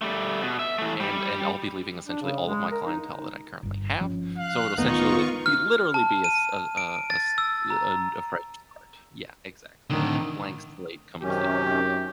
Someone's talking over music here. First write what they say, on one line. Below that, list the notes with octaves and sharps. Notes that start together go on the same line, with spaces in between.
And and I'll be leaving essentially all of my clientele that I currently have, so it'll essentially, like, be literally be a s a a a s uh, und a fresh start. Yeah, exactly, like, blank slate completely,
G3 A3
B2
E5
E3 A3
G3
D4
C#3
G#3
A#4
D#4
G1 G2
F3 C#4
F5 F#6
D1 D#3 A3 B3 D#4 F4 C#6
F6
A5
D#7
D7
A6
E6
A#5
A2 D3 D#3
F#2 C3 D#3 C#4 G4